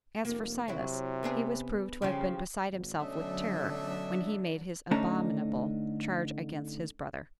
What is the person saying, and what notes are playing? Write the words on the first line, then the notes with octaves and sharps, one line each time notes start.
As for Silas, he was proved to have been beside himself with terror when he made his abominable charge against his brother.
F1 A#3
C3 F#3 E4
B3 D4 G#4
C#3 F3 G3 C#4
G#1
B2 D3 F#3 A3 C#4 D4 D#5 E5
D3 A3 C#4 D#4 A5 A#5